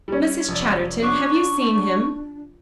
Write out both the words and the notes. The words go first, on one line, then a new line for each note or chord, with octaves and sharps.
"Mrs. Chatterton, have you seen him?"
G3 C#4
F1 D5
D4 C#6 D6 F#6 C7